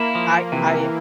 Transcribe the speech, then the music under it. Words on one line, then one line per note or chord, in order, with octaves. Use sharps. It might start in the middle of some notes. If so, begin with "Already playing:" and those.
I I
Already playing: A#3 E4
F3
C3 E3